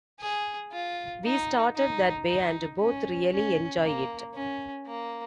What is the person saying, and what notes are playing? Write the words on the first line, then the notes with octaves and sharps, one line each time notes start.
We started that way and both really enjoy it.
G#4
F4
D#4
D#4
D#4
C#4
C#4
A#3
C#4
A#3